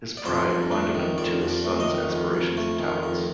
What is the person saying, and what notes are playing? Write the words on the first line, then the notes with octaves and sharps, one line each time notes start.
His pride blinded him to his son's aspirations and talents.
D5
F2 C5
F2
A3
D#3
F2 D5
F2
D5
A3
D#5
D#3
F2
F2
A3
D#3
F2